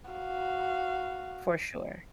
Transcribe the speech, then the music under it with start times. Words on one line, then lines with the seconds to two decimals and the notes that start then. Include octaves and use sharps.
For sure.
0.11 F#4 F5